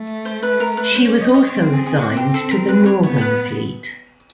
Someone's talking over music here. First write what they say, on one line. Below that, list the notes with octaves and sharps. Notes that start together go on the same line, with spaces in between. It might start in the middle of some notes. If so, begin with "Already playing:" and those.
She was also assigned to the Northern Fleet.
Already playing: A3
C5
B4
A#4
B4
C#4 C5
D5
C#5 D#5
C#5 D#5
C4 C#5
G#4
G#4
C4 F#4
G4
A4
A#4
B4
C#5
B3 C#5
B4